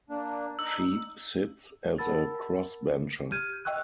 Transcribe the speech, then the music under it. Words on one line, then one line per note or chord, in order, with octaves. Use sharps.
She sits as a Crossbencher.
A#3 D4
D#4 E6
A#4 F#5 A5 B5 E6 A6
G4 F6 G6 G#6 D#7
D#5 E5 G5 C#6 E6 F#6